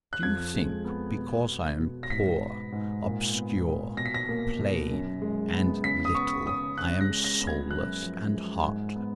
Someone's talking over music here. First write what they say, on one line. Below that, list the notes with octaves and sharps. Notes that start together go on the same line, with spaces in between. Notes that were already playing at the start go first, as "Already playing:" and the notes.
Do you think, because I am poor, obscure, plain, and little, I am soulless and heartless?
F#6
F2 G#6
G#3
B3
B2
B3
B2
A#6
G#2 B6
B3
G#2
A#2
B3
A#2
B2 A#6
B6
A#6
A#3
B2
F#2
G#3
B3
C#3 B6
D#6
B3 C#6
C#3 D#6
C#3 F#6
A#6
G#3
A#6
B3
G#6
F#2 F#6
F3
G#3
G#2
B3